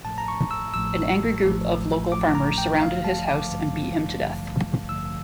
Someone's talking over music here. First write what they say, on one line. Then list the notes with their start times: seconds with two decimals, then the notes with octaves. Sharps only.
An angry group of local farmers surrounded his house and beat him to death.
0.05 A1 A2 F3 A3 A5
0.18 A#5
0.28 C#6
0.51 E6
0.73 A1 A2 F3 A3 E6
1.44 A1 A2 F3 A3
2.12 A1 A2 F3 A3 D6
2.35 A#5
2.58 G5
2.81 A1 G2 D3 F3 A3 F5
3.04 A5
3.28 D6
3.50 A1 G2 D3 F3 A3
4.19 A1 G2 D3 F3 A3
4.89 A1 G2 D3 F3 A3 E6